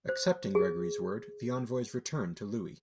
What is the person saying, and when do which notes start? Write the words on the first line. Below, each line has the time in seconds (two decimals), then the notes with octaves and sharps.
Accepting Gregory's word, the envoys returned to Louis.
0.09 C5
0.55 G#4